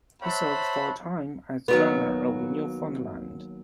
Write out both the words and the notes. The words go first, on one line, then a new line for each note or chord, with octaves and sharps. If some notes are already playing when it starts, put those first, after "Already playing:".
He served for a time as Governor of Newfoundland.
C5 C#5 E5 F#5 A5 B5
D#2 F#3 B3